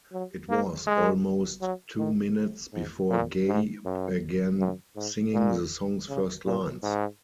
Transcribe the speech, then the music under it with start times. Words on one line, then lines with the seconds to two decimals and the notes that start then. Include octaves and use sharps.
It was almost two minutes before Gaye began singing the song's first lines.
0.13 F#3
0.49 A#3
0.87 G#3
1.61 F#3
1.99 D#3
2.73 G#2
3.10 A#2
3.48 G#2
3.85 F#2
4.60 F#2
4.96 G#2
5.33 A#2
6.08 C#3
6.45 A#2
6.83 G#2